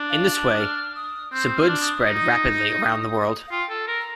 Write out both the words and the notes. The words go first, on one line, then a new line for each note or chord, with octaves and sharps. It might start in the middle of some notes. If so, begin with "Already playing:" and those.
In this way, Subud spread rapidly around the world.
Already playing: D4
F5
A5
D#6
F6
D#6
C4 G6
F6
C4
D4
D#6
D#4
F5
F4 G5
A4
A#4
A#5